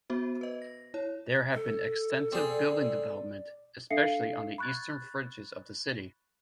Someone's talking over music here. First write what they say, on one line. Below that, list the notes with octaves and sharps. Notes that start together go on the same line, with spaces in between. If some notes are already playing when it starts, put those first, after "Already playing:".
There has been extensive building development, especially on the eastern fringes of the city.
B3 F#4 C5
B4 D#5
A#6
E4 C#5
A4
C4 G#4 D5
D4 A4 E5 F5 C7 C#7
B5 C#6 F#6 G#6 A6